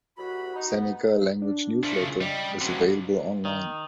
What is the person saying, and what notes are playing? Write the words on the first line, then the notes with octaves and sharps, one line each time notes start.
Seneca Language Newsletter, is available online.
C2 F#4 B5
D#4
B3
D4
F3 A3
C#3
G3 D#5
C#2 C3 F#4
D#3